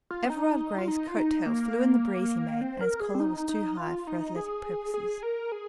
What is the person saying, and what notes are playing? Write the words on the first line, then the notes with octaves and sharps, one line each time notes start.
Everard Grey's coat-tails flew in the breeze he made, and his collar was too high for athletic purposes.
F4
C4
D#4
F4
D#4
F4
D#4
A#3
C4
A#4
G#4
C4
D#4
D#4
F4
D#4
G#4
G#4
A#4
G#4